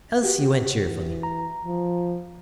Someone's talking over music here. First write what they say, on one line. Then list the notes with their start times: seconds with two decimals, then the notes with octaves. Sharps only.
Elsie went cheerfully.
0.24 F#4 G4
0.87 E3
1.23 A#5
1.66 F3